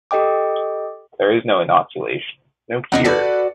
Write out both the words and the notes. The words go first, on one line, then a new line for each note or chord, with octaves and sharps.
There is no inoculation, no cure.
G4 A4 D#5 G5 D6
E2 C#3 D4 D#4 F#5
F#4 A4 B4 D5